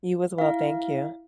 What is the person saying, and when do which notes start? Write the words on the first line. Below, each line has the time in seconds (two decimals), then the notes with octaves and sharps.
You as well, thank you.
0.38 E4 F5